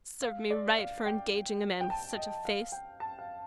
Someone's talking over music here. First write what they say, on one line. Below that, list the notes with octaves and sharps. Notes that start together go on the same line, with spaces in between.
Serve me right for engaging a man with such a face.
F5
D5
F5
G5
G5
A5
D#5
F5
G5
A5
F5